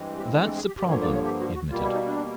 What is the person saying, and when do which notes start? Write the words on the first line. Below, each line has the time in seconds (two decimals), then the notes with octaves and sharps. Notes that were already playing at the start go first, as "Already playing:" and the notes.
"That's a problem," he admitted.
Already playing: G2 E3 G#3 C4
0.17 G4
0.33 G#4
0.45 A4
0.56 G#4
0.67 G4
0.78 G2 D3 F3 A#3 G4
0.90 C#5
1.02 D5
1.13 C#5
1.25 G4
1.40 F#4
1.55 F#4
1.70 B2 G3 A#3 F4
1.82 E4
1.94 D#4
2.06 D4